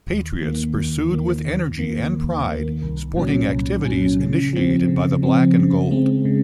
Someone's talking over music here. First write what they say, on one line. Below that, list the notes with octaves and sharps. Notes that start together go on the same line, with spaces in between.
"Patriots" pursued with energy and pride sporting activities initiated by the "Black and Gold".
D#2
D#3 A#3
D#2
D#3 A#3
D#2
D#3 A#3
D#2
D#3 A#3
C2
A#2 F#3 C#4
C2
A#2 F#3 C#4
C#3
F3 C4
C#3
F3 C4
C#3
G#3 C4
C#3